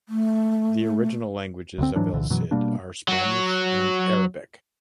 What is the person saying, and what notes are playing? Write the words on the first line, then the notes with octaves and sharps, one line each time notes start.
The original languages of "El Cid" are Spanish and Arabic.
A3
D2 D3 C4
G#2 E3 F#3 D4
C2 A#2 D3 E3
F#2 B2 E3 F#3
B2 G3 A#3 D4
F#3 F#4